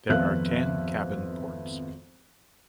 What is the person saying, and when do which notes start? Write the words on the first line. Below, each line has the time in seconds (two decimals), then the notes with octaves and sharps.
There are ten cabin ports.
0.09 G#1 F2 B3 E5 F5 F#6